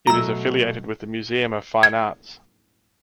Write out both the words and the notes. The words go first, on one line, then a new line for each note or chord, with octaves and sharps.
It is affiliated with the Museum of Fine Arts.
B2 F#3 A3 A#5 E6
G#6